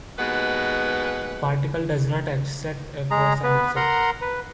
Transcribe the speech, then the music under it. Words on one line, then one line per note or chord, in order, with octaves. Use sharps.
Particle does not exert a force on itself.
D#2 B2 G#3 B4 F#5
G#3 G#4 A#5
B3 B4
A#4 F#5 A#5 C6
B4